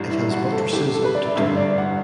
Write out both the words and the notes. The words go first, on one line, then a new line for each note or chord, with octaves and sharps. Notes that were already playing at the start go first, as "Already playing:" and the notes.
It has buttresses up to tall.
Already playing: A1 G2 E3 G3
E4
F#4
A4
G4
A4
B4
D5
E5
A1 G2 D3 E5
D5
F#5